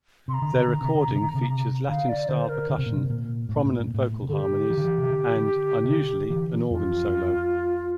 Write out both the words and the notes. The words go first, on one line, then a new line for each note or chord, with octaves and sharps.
Their recording features Latin-style percussion, prominent vocal harmonies, and, unusually, an organ solo.
C3 C6
A#5
D3
C3
D3
C3
D3
C3
D3
C3
D3 F5
D5
D3 C5
A#4
D3
C3
A#2
C3
A#2
A2
A#2
A2
A#2
A2
A#2
A2
C3
D3 G4 A4
E3
D3
E3
C3
D3
C3
D3
E3
F2 F4